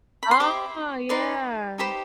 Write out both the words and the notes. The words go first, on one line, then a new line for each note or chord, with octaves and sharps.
Oh, yeah.
B5
C6
G4 C5 D#5 D6
D#4 B4 D5 C6
D#4 G4 C5 B5